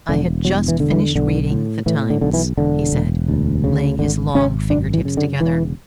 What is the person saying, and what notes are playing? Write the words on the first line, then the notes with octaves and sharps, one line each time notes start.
"I had just finished reading the Times," he said, laying his long finger-tips together.
E1 D3
E2 F#3
E3
D3
E3
B1 D3
A2
A2 E3
D3
B1 D3
E3
E1 D3
E1
D2
C#3
G#1 D3
G#1 C#4
F#2 D4
E3
C#3
D3
E1 E3